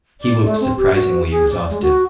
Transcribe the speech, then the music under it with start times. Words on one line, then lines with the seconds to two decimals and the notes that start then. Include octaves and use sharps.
He looked surprisingly exhausted.
0.21 D5
0.44 A3
0.61 C4
0.77 G4
0.94 F#4
1.30 G#4
1.49 D5
1.70 G#3
1.82 F#4